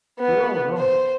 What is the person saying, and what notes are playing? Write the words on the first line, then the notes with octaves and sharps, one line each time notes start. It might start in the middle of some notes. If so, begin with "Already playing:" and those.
You're all wrong!
B3
C5